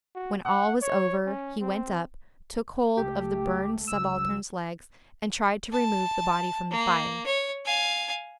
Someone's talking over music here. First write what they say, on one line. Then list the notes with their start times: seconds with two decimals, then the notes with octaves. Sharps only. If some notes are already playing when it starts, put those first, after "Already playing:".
When all was over, he went up, took hold of the burned subaltern's legs, and tried to remove the body from the fire.
0.15 F#4
0.45 F#5
0.82 C#5
1.26 C#4
1.61 C4
2.97 C#2 A3 G4
3.87 C#2 F#3 E6
5.72 A5
6.71 A#3
7.26 C#5
7.66 F5 G#5